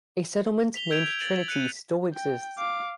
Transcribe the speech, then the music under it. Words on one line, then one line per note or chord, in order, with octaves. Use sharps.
A settlement named Trinity still exists.
B6 F7 G7
E6 G6 G#6 D7 F7 G7
A6 F#7
F#6 C#7 D#7
G5
F5 D6